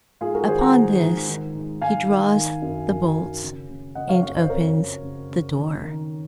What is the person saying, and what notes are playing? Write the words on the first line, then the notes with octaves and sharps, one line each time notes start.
Upon this he draws the bolts and opens the door.
G#2 F4 G#4
F#4 A#4
D#3 G#4 C5
F#5 A#5
D#3
G#2
D#3
G#2
G#2 F5 G#5
D#3
D#3
F#2
F#2
D#3
C#3
C#3
C#3 D#5 F#5
C#5 F5
F#2 C#5 F5
C5 D#5
F2 A#4 C#5
C#3
C#3
C#3
D#3
D#3